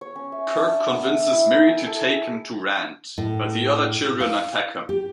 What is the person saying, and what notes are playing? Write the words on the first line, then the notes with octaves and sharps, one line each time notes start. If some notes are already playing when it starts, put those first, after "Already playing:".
Kirk convinces Miri to take him to Rand, but the other children attack him.
C#5
C#4
E5
D4
B3
E5
E4
A#4
G#5
A4
G#4
A2
F5
G4